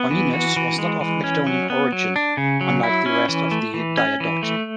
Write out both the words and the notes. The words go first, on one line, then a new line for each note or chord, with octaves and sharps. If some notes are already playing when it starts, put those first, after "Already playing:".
Eumenes was not of Macedonian origin, unlike the rest of Diadochi.
Already playing: B3
E3
F#4
E3
G#3
E3
C#4
F#3
B3
F#3
D4
C#3
F#3
E4
C#4
E3
A3
E3
C#4
E3
A3